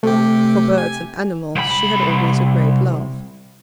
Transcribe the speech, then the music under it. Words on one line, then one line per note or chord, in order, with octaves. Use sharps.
For birds and animals she had always a great love.
C3 A3 G4
G#5
C2 B5